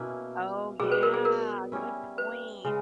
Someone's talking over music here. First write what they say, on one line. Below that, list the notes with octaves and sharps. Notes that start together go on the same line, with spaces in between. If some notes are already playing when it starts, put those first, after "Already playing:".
Oh, yeah, good point.
Already playing: B2 A#3 C#4 E4
B2 G3 B3 G#4
B4
A#4
G#4
A#4
G3 C#4 E4
B4
C#3 G#3